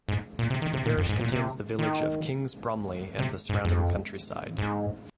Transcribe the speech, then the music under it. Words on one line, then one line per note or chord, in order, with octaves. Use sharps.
The parish contains the village of Kings Bromley and the surrounding countryside.
G#2
A#2
C3
D#3
C3
A#2
F2
G#2
A#2
C3
D#3
C3
G#2
F2
G#2